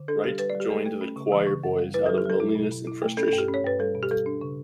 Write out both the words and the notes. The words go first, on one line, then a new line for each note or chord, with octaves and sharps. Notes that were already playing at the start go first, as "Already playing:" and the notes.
Wright joined the choirboys out of loneliness and frustration.
Already playing: D3
D4 A4
G3 G4
G3 B4
D5
G3
G4
A3 A4
A3
C#4
C#3
E3
C#3
F#2
G3
E4 B4
F#3 A4
G4
F#3 A4
E4
B2
B2
E4
A3
C#4 A4
A4
G2
G4
C#4
C#5
G2 B4
G3 A4
B2
G4
G3 A4
D4
C#3